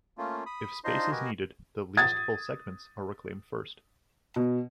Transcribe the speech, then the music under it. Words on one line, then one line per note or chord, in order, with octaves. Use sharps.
If space is needed, the least-full segments are reclaimed first.
A3 A#3 C#4 F4
B5 D#6
D4 D#4 F4 C5 D#5 C6
F#4 G4 A#4 B4 D#5 G#5
D#6 G#6 A6
B2